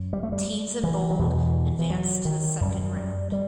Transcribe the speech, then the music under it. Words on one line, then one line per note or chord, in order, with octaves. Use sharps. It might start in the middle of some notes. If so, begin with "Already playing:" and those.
Teams in Bold advanced to the second round.
Already playing: F#2
G3
A3
G3
E3
F#3
E2 B2 E3
E3
F#3
D#3
F#2 G3
G3
G3